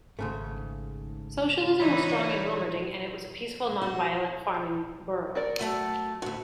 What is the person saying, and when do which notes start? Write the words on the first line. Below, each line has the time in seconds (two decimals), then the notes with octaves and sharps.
Socialism was strong in Wilmerding and it was a peaceful non-violent farming borough.
0.19 G#1 G#2 C#3 A3
1.80 E3 D#4 F#4 C#5 D5 E5 B5
3.82 F#4
5.35 F#4 A#4 D5
5.59 F#3 A3 A5
6.22 D2 G2 F#4